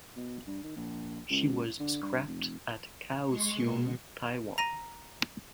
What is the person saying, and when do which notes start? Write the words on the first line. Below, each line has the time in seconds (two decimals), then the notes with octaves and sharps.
She was scrapped at Kaohsiung, Taiwan.
0.17 B2
0.47 G2
0.63 D#3
0.76 A#1
1.30 C#2
1.80 D3
2.02 G2
2.28 F1
3.25 G#3 C6 C#6
3.54 B2
4.58 A#5 A#6 D#7